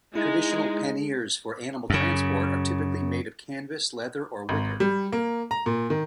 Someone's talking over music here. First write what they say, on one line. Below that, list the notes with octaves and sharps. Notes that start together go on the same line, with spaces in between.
Traditional panniers for animal transport are typically made of canvas, leather, or wicker.
G#3 D#4 E4
F#2 C#3
G#1
G3
A#3
A#5
A#2
D#3